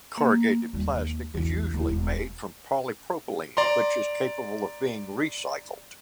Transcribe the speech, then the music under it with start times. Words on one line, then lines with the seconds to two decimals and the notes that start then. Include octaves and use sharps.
Corrugated plastic is usually made from polypropylene which is capable of being recycled.
0.18 A#3
0.73 D#2 G3
0.94 D#2
1.34 B1 E2
1.74 D#2 E4
1.88 E1
3.57 D5 A#5 C6